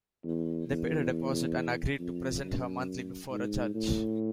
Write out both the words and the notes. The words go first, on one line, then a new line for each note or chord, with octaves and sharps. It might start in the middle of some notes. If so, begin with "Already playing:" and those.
They paid a deposit and agreed to present her monthly before a judge.
E2
E2
F2
F#2
G#2
A2